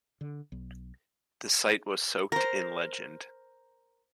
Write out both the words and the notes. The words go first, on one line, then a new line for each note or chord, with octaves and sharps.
The site was soaked in legend.
D3
B1
A#4 C5